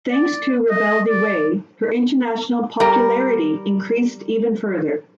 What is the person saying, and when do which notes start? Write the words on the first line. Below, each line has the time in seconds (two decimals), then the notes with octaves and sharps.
Thanks to "Rebelde Way", her international popularity increased even further.
0.12 D5
0.70 D#5
1.08 D5
2.80 G3 A#4